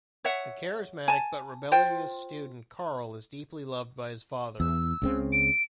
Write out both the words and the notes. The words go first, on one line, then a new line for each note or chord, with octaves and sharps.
The charismatic but rebellious student Karl is deeply loved by his father.
C#5 E5 F#5
G#5 A5
F4 C5 G5
E2 E6
C#2 C#3 C4
D7